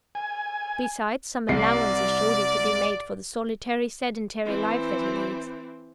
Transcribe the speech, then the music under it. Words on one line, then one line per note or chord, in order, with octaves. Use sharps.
Besides, some allowance is surely to be made for the solitary, sedentary life that he leads.
G#5
C2 D5 C7
E3 C4